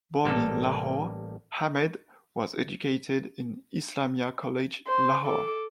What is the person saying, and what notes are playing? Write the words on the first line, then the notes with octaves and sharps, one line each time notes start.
Born in Lahore, Ahmed was educated at Islamia College Lahore.
A1 G3 A#3 A4
C5
A4 D6